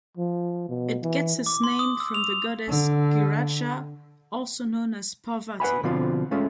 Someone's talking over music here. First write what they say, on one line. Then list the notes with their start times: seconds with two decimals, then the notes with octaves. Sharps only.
It gets its name from the goddess Giraja, also known as Parvati.
0.17 F3
0.69 B2
1.03 E3
1.46 D6
1.64 C6
1.79 D#6
2.00 E6
2.14 F7
2.68 D3
5.60 B4 F#5 G#5 B5
5.83 B2 D3 F3 C4 F4
6.31 G#3 A3 C#4 F4